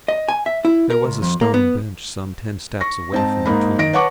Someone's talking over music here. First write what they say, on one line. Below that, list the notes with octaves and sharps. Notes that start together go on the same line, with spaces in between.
There was a stone bench some ten steps away from the tomb.
D#5
G#5
E5
E4
A#4
C#2
F2
A#3
B3
C#6 A#6
G#2 C4 D#4 A5
G#2 A#3 D#4 B5
D#3 D#5 A#6 D7
B4 C#5 F#5 A5 C#6 D6